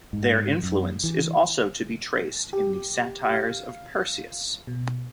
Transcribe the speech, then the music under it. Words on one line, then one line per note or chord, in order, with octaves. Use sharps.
Their influence is also to be traced in the satires of Persius.
G#2
F#2
E3
G4
F5
B2